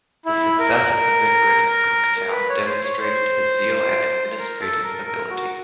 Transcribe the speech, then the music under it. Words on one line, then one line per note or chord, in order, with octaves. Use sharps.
The success of the Vicariate of Cooktown demonstrated his zeal and administrative ability.
E4
A#4
B4
C#5
C5
C#5
C5
A#4
A4
A#4
A#4
F#4